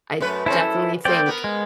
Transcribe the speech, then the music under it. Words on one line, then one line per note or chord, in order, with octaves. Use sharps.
I definitely think
F#2 A3 B4
C4 C#4 E4 A4
F#2
A3 B3 C4 D5 G5
B3 A#4
G#3